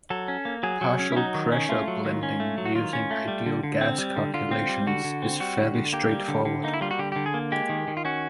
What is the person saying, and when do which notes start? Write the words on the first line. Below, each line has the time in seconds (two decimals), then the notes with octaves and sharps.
Partial pressure blending using ideal gas calculations is fairly straightforward.
0.10 F#3 A4
0.28 C#4
0.45 A#3
0.63 F#3 G#4
0.81 F#3
0.99 C#4
1.12 E4
1.16 F#3 D#4
1.34 D#3
1.52 C#4
1.69 A3 F4
1.88 F#3
2.05 D#3
2.23 C#4
2.40 A3
2.58 F#3
2.65 F#4
2.75 D#3 F4
2.93 C#4
3.11 A3
3.28 G3
3.46 D3
3.63 D3
3.81 C4
3.98 G3
4.16 D3
4.34 D3 F4
4.51 C4
4.69 G3
4.87 D3 F#4
5.04 D3
5.22 C4
5.40 G3 F#4
5.58 D3
5.75 D3
5.93 A#3 G4
6.11 G3
6.28 D3
6.45 D3
6.64 A#3 D#4
6.74 E4
6.81 G3 F4
6.91 F#4
6.99 D3 G4
7.12 D3 G4
7.26 G#4
7.34 A#3
7.52 G#3 G4
7.69 D#3
7.88 D#3
7.97 F4
8.05 C#4 F#4